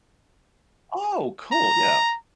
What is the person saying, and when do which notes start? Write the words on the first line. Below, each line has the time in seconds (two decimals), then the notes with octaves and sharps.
Oh, cool, yeah.
1.52 A#5